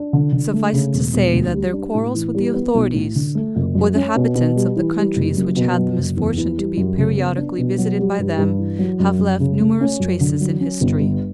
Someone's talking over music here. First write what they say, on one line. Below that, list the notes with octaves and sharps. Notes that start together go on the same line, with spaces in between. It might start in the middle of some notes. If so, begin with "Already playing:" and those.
Suffice it to say that their quarrels with the authorities, or the inhabitants of the countries which had the misfortune to be periodically visited by them, have left numerous traces in history.
Already playing: D4
D3
D3
A3
C#3
E1
E1
D2
G3
D4
A2
E3
G3
B3
B1
A2
D3
A3
F#1
F#2
C#4
B2
B2
G3
E3
G3
F#1
F#2
B2
F#3
F#1
E2
E3
G3
F#2
C#3
B3
D4
B2
F#3
G3
G2
G2
E3
F#3
F#2
F#2
C#3
A3
C#4
F#2
D3
F#3
C#4
G1
G2